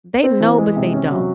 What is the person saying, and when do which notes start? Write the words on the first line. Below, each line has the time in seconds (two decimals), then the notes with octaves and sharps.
they know, but they don't.
0.23 C4
0.40 E3
0.58 G#3
0.76 C3
0.93 C#4
1.10 F#3